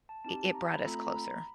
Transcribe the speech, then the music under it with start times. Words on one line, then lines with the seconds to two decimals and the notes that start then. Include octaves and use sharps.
it it brought us closer.
0.09 A5
0.24 C4 D#4 G4 A5
0.40 A5
0.55 A#5
0.75 B5
0.85 A3 C4 F4 A4 A#5
0.95 A#5
1.05 A#5
1.15 B5